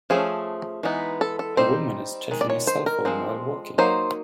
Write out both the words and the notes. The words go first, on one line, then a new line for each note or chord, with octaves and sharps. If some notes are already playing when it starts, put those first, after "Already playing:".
A woman is checking a cellphone while walking.
F3 A3 C#4 G#4
E3 G#3 B3 D#4
A4
A4
G3 C4 D#4 C5
D#3 G#3
D5
C#5
C5
A#4
F3 G#3 C4
F#3 A#3 D#4 C5